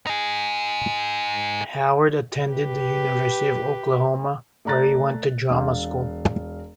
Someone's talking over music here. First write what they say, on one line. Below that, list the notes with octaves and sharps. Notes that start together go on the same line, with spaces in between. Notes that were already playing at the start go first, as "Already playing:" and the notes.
Howard attended the University of Oklahoma, where he went to drama school.
D#4 G#4
G4 B4
A3 D5 A#5 F#6 A6
E1 F5